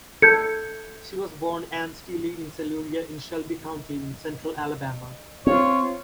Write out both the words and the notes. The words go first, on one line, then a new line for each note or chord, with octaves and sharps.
She was born Ann Steely in Siluria in Shelby County in central Alabama.
A4 G6 G#6 C#7
C4 F4 C#5